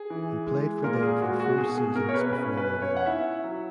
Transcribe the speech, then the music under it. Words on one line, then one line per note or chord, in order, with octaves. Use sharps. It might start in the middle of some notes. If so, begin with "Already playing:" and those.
He played for them for four seasons before moving on.
Already playing: G#4
E3
G#3
A#2 A#4
G#4
G#3 F#4
F#4
B2 G#4
G#4
B2 A#4
C#5
B4
C#4 B4
B4
C#4
C#5
F#5
E4 E5
F#3